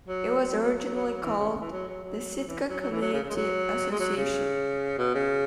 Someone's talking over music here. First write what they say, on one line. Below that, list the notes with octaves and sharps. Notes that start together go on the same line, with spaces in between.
It was originally called the Sitka Community Association.
F#3
F#3
F#3
F#3
F#3
F#3
F#3
F#3
E3
C#3
C#3
E3
F#3
F#3
F#3
F#3
E3
F#3
F#3
E3
F#3
C#3
C#3
G#3
F#3
G#3
F#3
C#3
B2
C#3